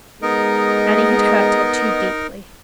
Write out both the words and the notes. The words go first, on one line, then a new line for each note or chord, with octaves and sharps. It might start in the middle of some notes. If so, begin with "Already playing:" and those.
Annie had hurt her too deeply.
G#3 B3 D#4 A#4 D#5